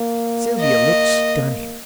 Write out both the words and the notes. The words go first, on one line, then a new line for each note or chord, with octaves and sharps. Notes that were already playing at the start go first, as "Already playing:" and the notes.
Sylvia looked stunning.
Already playing: A#3
D#5